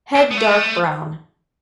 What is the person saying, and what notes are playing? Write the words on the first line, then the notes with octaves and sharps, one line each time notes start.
Head dark brown.
C4
B3
A3